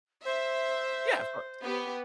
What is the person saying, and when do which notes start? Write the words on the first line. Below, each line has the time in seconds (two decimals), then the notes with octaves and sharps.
Yeah, of course.
0.24 C5 E5
1.63 B3 G4